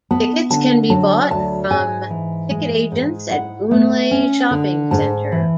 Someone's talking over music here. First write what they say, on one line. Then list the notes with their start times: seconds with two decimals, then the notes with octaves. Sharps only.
Tickets can be bought from ticket agents at Boon Lay Shopping Centre.
0.11 B3 A5
0.50 D3 A5
0.90 F#3 A5
1.30 D2 A5
1.70 G#2 G#5
2.10 E3
2.50 G#3
2.92 G#2
3.31 E4 F#5
3.71 A3
4.11 C#4
4.51 D3
4.91 G#2 A5
5.32 E3